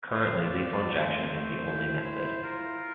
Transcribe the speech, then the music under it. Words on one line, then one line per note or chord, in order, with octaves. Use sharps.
Currently, lethal injection is the only method.
F4 C5
D5
C4
D5
A3 C5
A3
E4
E4
F4 A#4